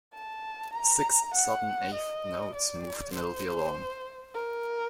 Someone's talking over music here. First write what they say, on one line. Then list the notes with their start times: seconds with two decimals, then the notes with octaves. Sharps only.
Six sudden eighth notes move the melody along.
0.13 A5
0.73 A#5
1.34 F#5
1.94 D#5
2.54 D5
3.13 C5
4.34 A#4